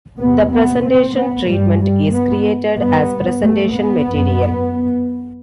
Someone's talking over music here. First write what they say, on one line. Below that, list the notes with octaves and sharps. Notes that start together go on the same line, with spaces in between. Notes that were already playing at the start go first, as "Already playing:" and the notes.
The presentation treatment is created as presentation material.
E2 C3 B3
B3
C4
B3
G2 G3
G3
B3
G2 B3
A3
B3
F#2